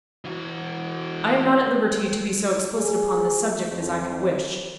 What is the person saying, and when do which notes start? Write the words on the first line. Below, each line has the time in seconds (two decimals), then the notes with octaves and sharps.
'I am not at liberty to be so explicit upon this subject as I could wish.
0.25 E3 F#4
2.75 G#4
3.70 F2